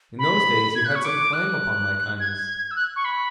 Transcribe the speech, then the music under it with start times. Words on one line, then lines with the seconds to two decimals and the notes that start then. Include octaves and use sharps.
In those days you had some claim upon my kindness.
0.19 B5
0.75 G#6
0.85 F#6
0.95 C#6
1.05 D6
1.33 F#6
2.20 G#6
2.71 E6
2.76 F#6
2.96 C#6
3.05 B5